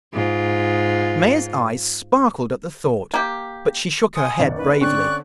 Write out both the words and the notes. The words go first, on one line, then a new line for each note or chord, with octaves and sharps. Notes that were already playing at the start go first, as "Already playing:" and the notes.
Maia's eyes sparkled at the thought, but she shook her head bravely.
G#2 F4
A#3 G4
G#5 C6 D#6 C#7
F#1 D#2 D5
B4
D3 C4 C#4 D5 C#6 F#6